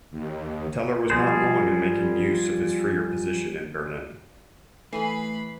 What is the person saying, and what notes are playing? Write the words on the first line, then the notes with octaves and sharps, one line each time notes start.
Teller was not long in making use of his freer position in Berlin.
D#2
F3 G3 G#4 C5
E3 A3 G#4 B4 B5 C6 C7